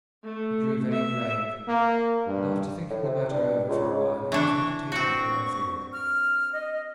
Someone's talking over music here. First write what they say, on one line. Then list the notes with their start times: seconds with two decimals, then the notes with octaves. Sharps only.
He grew very grave; and, after thinking the matter over for a while asked me to take him to Renfield.
0.25 A3
0.92 E5
1.68 A#3
2.26 G2
2.90 A2
3.03 C3
3.30 G2
3.68 C#2
3.92 C#3
4.32 E3 D4 C#6
4.92 C4 F#4 C#6
5.93 F6
6.53 D#5